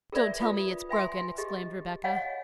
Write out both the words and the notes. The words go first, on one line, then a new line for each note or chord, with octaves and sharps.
"Don't tell me it's broken," exclaimed Rebecca.
G#4 A#4 B4 D5 E5
F4 B4 D#6
B4 E5 G#5 C6
G4 G#4 D#5
C#5 D#5 F5 F#5 G#5